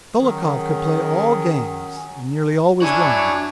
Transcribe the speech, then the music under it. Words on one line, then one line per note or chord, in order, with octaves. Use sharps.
Dolokhov could play all games and nearly always won.
D#3 F#3 C#4 G#4
D4 E4 F#4 C#5 G#5 C#6